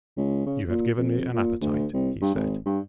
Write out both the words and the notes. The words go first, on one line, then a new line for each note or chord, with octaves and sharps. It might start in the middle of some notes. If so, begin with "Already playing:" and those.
"You have given me an appetite," he said.
C#2
C#3
A#2
F2
A#2
D2
C2
G2
G#1
G2